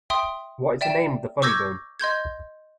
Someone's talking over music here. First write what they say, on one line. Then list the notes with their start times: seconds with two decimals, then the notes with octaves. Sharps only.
What is the name of the funny bone?
0.10 E5 G5 C6 D#6
0.81 D5 E5 G5 E7
1.42 C#6 D6 E6 G6 G#6 A#6
2.00 D#5 C6 G6 G#6